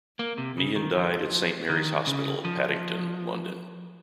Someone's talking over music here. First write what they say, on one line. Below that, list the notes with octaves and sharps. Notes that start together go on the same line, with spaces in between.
Meehan died at Saint Mary's Hospital, Paddington, London.
A#3
C3
C#3
D#3
F3
D#3
C#3
F3